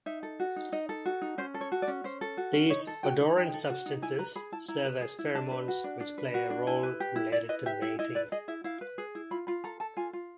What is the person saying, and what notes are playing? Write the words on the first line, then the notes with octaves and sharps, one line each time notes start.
These odorant substances serve as pheromones which play a role related to mating.
D#4 E5
A4
F#4
D#4
D#4 D#5
A4
F#4
D#4
C#4 C5
A4
C#5
F#4
D5
C#4
C#4 C5
A4
F#4
C#4
D#4 C#5
A4
F#4 G5
D#4
D#4 G5
A4
F#4
D#4
E4 G#5
B4 A#5
G#4 B5
E4 A5
E4 A#5
B4
G#4
E4
D4 A5
B4
F#4
D4
D4
B4
F#4
D4
E4 G#5
B4
G4
E4
E4 D5
B4 D#5
G4 E5
E4 E5
E4 D#5
B4 D5
G#4 D#5
E4 E5
E4 F5
B4
G#4
E4
F4 B5
F4 B5
A4 A#5
A4 A5
F4 G#5
F4